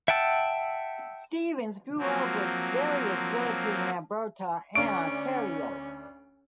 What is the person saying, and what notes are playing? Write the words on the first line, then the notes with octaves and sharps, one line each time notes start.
Stevens grew up with various relatives in Alberta and Ontario.
E5 F#5 G5 A5 E6
F3 F#3 A#3 C4
D2 C#4 D4 C#6 D7